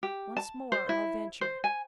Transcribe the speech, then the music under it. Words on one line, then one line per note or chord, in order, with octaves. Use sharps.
Once more I'll venture.
G4
A5
C5
E4
C5
G#5